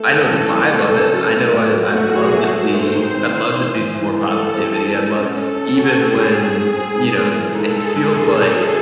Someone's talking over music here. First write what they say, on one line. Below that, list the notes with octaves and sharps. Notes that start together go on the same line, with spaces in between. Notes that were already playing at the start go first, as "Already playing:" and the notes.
I know the vibe of it, I know I I'd love to see I'd love to see some more positivity, I'd love even when, you know, th it feels like
Already playing: A3 A4
C#4
E3
A3
A3
C#3
F#3
A2
A3
F#3 F#4
A3
G#4
F#3
A3 A4
A3
C5
A3
D#3
C4
D#3
E3
E3
E3
G#3 A4
E3
C4
E3
G#3
C#4
C#4 A4
C#4
F#4
C#4
C4 G#4
G#2
C4
G#2
C4
G#2
G#3 C5
E3
A4
G#2
G#3 G#4
G#3
E3
C3
F#3